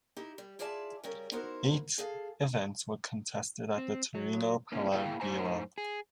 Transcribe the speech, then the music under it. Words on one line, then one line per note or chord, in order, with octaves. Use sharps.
Eight events were contested at the Torino Palavela.
D#4 E4 G4
G3
E4 F4 G#4 D5 E5 A5
C#3 G3 C#4 A#4
B3 D#4 E4 F#4 A#4 C5
G#4 A4 F5
C4
F#3
A#3 C#4 E4
A#3 E4 G#4 F5 G5
F#2 A2 D#4 C5 G#5 A#5
G#4